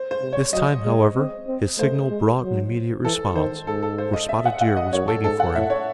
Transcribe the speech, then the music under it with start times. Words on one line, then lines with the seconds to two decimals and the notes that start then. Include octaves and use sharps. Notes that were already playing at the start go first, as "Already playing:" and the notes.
This time, however, his signal brought an immediate response, for Spotted Deer was waiting for him.
Already playing: C5
0.11 C5
0.22 C3
0.33 C#5
0.53 F#3 D#5
0.85 G#3
1.16 C4
1.48 C4
1.79 A3 C5
2.09 G#3
2.41 F#3
3.04 E3 A4
3.35 D#3 C5
3.66 G#2 A4
3.83 A4
3.98 C5
4.13 D#5
4.29 E5
4.46 F#5
4.61 F#5
4.77 D#5
4.93 F#2 C#5
5.08 A4
5.23 G#2 A4
5.40 F#5
5.55 A2 E5
5.70 C#5